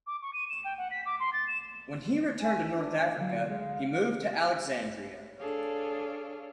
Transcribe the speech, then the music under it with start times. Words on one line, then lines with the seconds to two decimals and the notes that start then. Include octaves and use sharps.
When he returned to North Africa, he moved to Alexandria.
0.07 D6
0.22 C#6
0.33 D#7
0.50 E7
0.64 G5
0.78 F#5
0.91 B6
1.06 D6
1.20 C6
1.33 A6
1.48 E7
2.41 G#5
2.75 D4
3.17 D3 F#3 F5
3.46 D2 G#3
5.38 D4 G#4 A4 C#5 F5